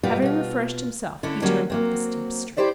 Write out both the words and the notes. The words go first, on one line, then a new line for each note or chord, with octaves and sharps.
Having refreshed himself he turned up the steep street.
G2 B2 G3 F4 B4
B2 F4
D3 C#4 D4 E4
D3 F#3 G3 A#3 C#4
F#3 A#3 C4
E4 G4 C5 D5 E5